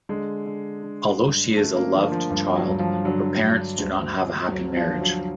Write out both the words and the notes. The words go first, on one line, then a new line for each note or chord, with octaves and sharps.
Although she is a loved child, her parents do not have a happy marriage.
D3 G#3
D3
D3
G2
D3 A3
A#3
D3 F3
F3
G2
F#3
G2
F3
D3 F#3
D3
D2
D2
D2 F#3
F3
D3
F#3